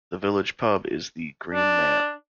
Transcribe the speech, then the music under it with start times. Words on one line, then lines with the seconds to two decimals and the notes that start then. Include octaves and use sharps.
The village pub is the "Green Man".
1.54 D4